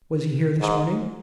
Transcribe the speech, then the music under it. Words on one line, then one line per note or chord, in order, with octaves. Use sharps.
'Was he here this morning?'
G#2